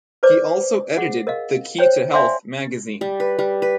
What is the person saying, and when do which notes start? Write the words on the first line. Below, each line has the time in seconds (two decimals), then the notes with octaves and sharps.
He also edited "The Key to Health" magazine.
0.23 B4 C5 D5 D6
0.97 G#4 F#5
1.27 A#4 D#5 F5
1.79 C5 C#5 G5
2.13 D5 E5 F5 G5 G#5 C6
3.01 G3
3.20 B4
3.39 G3
3.62 B4